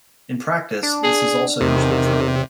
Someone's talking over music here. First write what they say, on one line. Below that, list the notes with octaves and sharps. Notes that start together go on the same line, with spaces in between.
In practice, this is also usually true.
D4
G#4
E2 C3 D#3